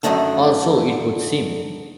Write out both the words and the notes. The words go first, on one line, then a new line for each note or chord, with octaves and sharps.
Or so it would seem.
F#2 A2 D3 D#3 A3 D4